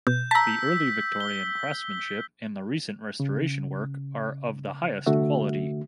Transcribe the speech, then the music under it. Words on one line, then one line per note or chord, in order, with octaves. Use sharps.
The early-Victorian craftsmanship and the recent restoration work are of the highest quality.
B2 G6
A5 A#5 E6 B6
G7
C#3
C2 D3 A3 F#4 E5